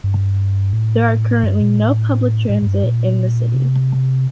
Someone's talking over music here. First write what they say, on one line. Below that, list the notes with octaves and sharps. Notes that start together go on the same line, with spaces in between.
There are currently no public transit in the city.
G2
A2
G2
A#2
A2
A2
A2
G2
A#2
C3